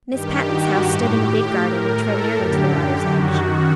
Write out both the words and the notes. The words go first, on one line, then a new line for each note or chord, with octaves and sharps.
Miss Patten's house stood in a big garden which ran nearly to the water's edge.
G2 D#3 G4
F#4
A2 G4
G4
A2 A#4
A4
F#2 D3 G4
F#2 D#3 F#4